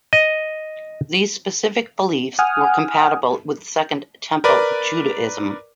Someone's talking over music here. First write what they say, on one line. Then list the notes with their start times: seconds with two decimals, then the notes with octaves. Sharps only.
These specific beliefs were compatible with Second Temple Judaism.
0.13 D#5
2.39 F#5 G#5 D#6 F6
4.44 A#4 B4 D5